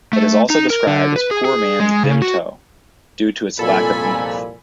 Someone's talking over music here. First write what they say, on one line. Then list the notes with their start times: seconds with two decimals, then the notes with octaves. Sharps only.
It is also described as poor man's Vimto due to its lack of oomph.
0.13 A3
0.50 D#4
0.70 A#4
0.87 D3
1.16 B4
1.31 G#4
1.45 G#4
1.80 G#3
2.03 C#3
2.22 F#4
3.59 C2 F2 A#2 A4 G#5 B5